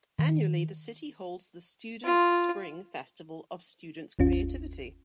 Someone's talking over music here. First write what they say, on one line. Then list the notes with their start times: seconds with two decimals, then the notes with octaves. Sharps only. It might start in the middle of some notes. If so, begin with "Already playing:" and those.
Annually the city holds the "Students' spring" festival of students' creativity.
0.19 D#3
2.05 F4
4.19 G1 D#2 C#4 F4